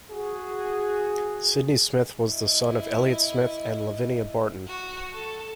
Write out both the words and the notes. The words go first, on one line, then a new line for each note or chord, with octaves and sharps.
Sidney Smith was the son of Elliot Smith and Lavinia Barton.
F#4 G#4
E4 D#5
F#4
A4